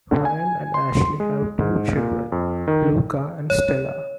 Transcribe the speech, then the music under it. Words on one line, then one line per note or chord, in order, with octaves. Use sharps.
Ryan and Ashley have two children, Luca and Stella.
D3
G#5
C6
G#3
G#2
A#2
F2
D#3
C#5